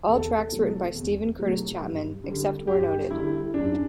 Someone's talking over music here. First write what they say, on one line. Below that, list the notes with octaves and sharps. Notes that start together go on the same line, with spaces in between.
All tracks written by Steven Curtis Chapman, except where noted.
E2 A4
B2 F#3 A3
E2
B2 F#3 A3
G2
D3 G3
G2 G4
D3 G3 E4
F#2 D4